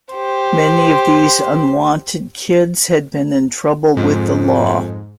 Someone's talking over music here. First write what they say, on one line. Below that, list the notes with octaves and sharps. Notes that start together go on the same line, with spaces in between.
Many of these unwanted kids had been in trouble with the law.
G4 C5
F2 G#2